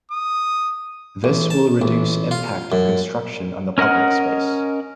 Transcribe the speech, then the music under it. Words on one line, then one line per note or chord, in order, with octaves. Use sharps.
This will reduce impact of construction on the public space.
D#6
A1
A5
A1
F4
F#2
C#4 A#4 D#5 F#5 F6